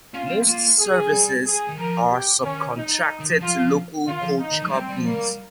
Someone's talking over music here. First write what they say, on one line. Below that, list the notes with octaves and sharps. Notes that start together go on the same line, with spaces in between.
Most services are subcontracted to local coach companies.
C#4 F4
C4
A#3 F4
G#4
G3
G#4
D#3
F3 A#4
G4
D#3 C#4
D#4
D#3
F3
F3 F4
F3
D#3 F4
F3
D#4
D#3
F3
G#3
G3 C4
G3
F3
G3 A#3